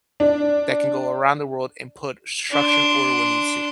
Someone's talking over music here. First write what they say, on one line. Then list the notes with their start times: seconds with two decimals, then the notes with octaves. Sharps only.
that can go around the world and put structure and order when it needs to.
0.20 D4
2.50 D4 C6